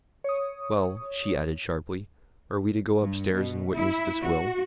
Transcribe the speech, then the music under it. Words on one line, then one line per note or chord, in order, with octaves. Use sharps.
"Well," she added sharply, "are we to go upstairs and witness this will?"
C#5 D#6
G2
B2
E4
F#4